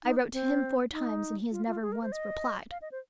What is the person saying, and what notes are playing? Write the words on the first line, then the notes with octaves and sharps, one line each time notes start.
I wrote to him four times, and he has never once replied.
D#4
C4
D#4
F4
F4
G#4
A#4
C5
D#5
F5
D#5
C5